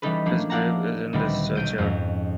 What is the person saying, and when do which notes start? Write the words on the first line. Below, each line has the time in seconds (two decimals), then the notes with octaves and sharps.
His grave is in this churchyard.
0.02 E3 G3 C#4 D#4 A4 B4
0.26 F3 A3 A#3 D4
0.50 E4 D5 F5 F#5 A5 A#5
1.13 D2 A#2 D#3 G3 B3 C4
1.55 B1 G6 D7 D#7
1.78 F2 G#2 F3 C#4